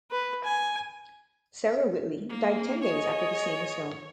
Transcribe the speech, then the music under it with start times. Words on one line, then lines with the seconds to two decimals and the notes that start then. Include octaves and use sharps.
Sarah Whitley died ten days after the scene was filmed.
0.11 B4
0.44 G#5
2.29 A#3
2.83 G#4 C#5 D#5